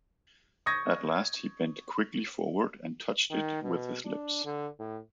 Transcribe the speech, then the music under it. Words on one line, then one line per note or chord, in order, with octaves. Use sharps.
At last he bent quickly forward and touched it with his lips.
C#6 D#6 G6 G#6 A#6
D#3
B2
D4
D3
A2